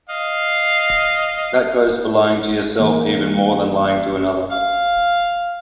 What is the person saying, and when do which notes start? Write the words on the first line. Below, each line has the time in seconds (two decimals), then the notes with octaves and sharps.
That goes for lying to yourself even more than lying to another.
0.09 D#5 F5
2.80 E3 A#3
4.49 F5